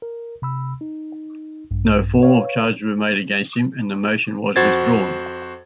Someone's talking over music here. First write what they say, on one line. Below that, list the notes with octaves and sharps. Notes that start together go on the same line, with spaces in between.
No formal charges were made against him, and the motion was withdrawn.
A#4
C3 B5 E6
D#4
A#1 G2
B4 C#5 F5
F2 F#4 C5 G#6 A6